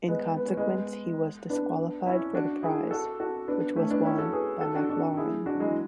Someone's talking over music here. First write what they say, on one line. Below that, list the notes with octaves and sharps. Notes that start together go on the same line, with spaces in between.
In consequence he was disqualified for the prize, which was won by Maclaurin.
G#3 B3
B3
C#4
G#3 B3
B3 D4
C#4 E4
D4 F#4
E4 G#4
F#4 A4
F#4 A4
B3 D4
A3 C#4
B3 D4
C#4 E4
F#4 A4
G#4 B4
F#4 A4
D4 F#4
D4 F#4
E4 G#4
D4 F#4
F#3
E3 G#3